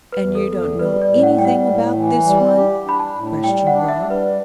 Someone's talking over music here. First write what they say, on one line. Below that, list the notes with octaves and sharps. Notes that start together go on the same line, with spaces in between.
"And you don't know anything about this one?" questioned Rob.
B4
E2
A4
E2
A4
G3 B4
D5
A2
F#5
G3 G5
F#5
A2
E3
G3
G4
D4 B5
A5
A2
G3 G5
F#5
D4
E5
G3
B4